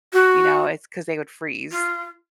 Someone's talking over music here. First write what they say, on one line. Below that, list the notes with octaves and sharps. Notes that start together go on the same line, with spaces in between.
you know? It's 'cause they would freeze,
F#4
F4